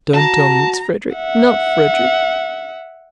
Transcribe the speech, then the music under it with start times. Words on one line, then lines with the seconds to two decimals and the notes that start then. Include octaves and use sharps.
Don't tell me it is Frederick--not Frederick.
0.14 F#4 A5 A#5
1.16 E5 F#5